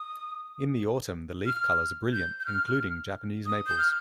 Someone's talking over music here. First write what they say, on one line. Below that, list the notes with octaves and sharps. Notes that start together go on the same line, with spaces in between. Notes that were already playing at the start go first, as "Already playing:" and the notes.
In the autumn, the leaf colours are brilliant, including Japanese maples.
Already playing: D#6
F6
G6
G6
F6
D#6
G6
F6